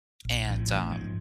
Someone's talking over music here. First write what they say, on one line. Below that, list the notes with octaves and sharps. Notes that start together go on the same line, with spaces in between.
And, um
A#1
A2 F3
A1
G#2 F3